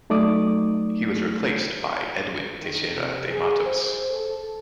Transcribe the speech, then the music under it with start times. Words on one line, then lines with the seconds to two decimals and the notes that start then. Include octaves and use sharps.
He was replaced by Edwin Teixeira de Mattos.
0.10 F#3 A3 D#4 D5 D6 D#6
2.60 D#3
2.93 C3
3.31 G#4
3.65 C5
4.10 A4